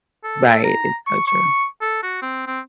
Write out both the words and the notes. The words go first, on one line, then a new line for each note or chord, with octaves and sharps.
Right, it's so true.
A4
A#5
C#6
C#6
A4
F#4
C4
C4